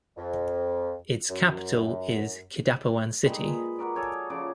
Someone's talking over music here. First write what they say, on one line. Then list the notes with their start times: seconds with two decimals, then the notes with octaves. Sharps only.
Its capital is Kidapawan City.
0.17 F2
1.30 F#2
3.24 A#2 G3 G#3
3.42 G#4 B4
3.79 F#4 A#4 D5
3.95 G#4 A4 C#5 D5
4.30 C#3 F3 D6